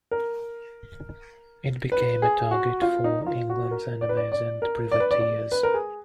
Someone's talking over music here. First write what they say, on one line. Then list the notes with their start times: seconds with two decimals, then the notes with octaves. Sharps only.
It became a target for England's enemies, and privateers.
0.11 A#4
1.92 B4
2.22 G#4
2.51 F#4
2.82 F4
3.04 D#4
3.21 D#4
3.26 F4
3.50 F#4
3.71 A#4
4.01 D5
4.09 B4
4.17 D5
4.32 D5
4.62 A#4
4.91 D5
5.00 B4
5.11 D5
5.21 D5
5.52 B4
5.63 A#4
5.74 G#4